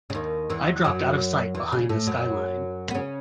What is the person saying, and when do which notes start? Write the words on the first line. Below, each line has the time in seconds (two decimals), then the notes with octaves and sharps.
I dropped out of sight behind the sky-line.
0.10 C#3
0.14 D#2 D#3
0.50 E2 E3
0.84 F#2 F#3
1.55 E2 E3
1.72 C#3
1.89 A2 A3
2.07 F#2 F#3
2.90 B3
2.94 C#3 C#4